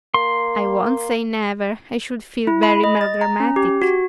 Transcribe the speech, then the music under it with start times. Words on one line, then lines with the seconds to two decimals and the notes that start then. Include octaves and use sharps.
"I won't say 'never'; I should feel very melodramatic."
0.14 A#3 C6
2.47 E4
2.63 B5
2.84 D#5
3.01 A6
3.21 A#5
3.40 C#4
3.56 G4
3.82 F#4